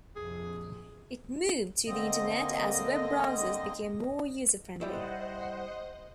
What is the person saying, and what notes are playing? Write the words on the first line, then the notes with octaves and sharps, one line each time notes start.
It moved to the internet as web browsers became more user-friendly.
A#1 F2 C3 G#4
D3 A#3 C4 D#5
G3 E4 C5 D#5 F#5